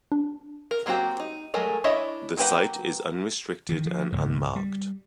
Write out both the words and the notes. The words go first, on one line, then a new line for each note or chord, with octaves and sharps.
The site is unrestricted and unmarked.
D4
A#4
F#3 A#3 C4 F#4 G4
D#4
F#3 G#3 A3 G#4 A#4
D4 E4 C#5 D#5 E5
F#3 A#3 G4 B4 F#5
D#3 E3
F3
C#2 G#2 B2
G3